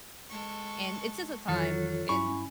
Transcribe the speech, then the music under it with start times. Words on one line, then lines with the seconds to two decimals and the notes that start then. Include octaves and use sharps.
and it's just a time and
0.30 G#3 A4 C#6
1.48 F2 D#3 E3 F#3 F4 A4 C#5
2.09 G2 C#4 E4 G#5 B5 C#6